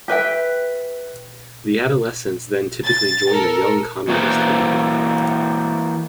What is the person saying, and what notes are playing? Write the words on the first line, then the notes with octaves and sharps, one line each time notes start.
The adolescents then typically join the Young Communist League.
G4 B4 E5 G5
A6
A4 A#4
E3 A#3 F#4 A4 B4 C5